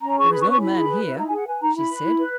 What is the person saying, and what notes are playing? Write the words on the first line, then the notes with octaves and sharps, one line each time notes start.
"There is no man here," she said.
C#4 A#5
G#4 C#6
B4 B5
C#6
C#4
C#6
E4 B5
G#4
B4
E4
D#4 A#5
G#5
G#4
F#5
B4 G#5
D#4 A#5
E4 B5
B4
E4
B4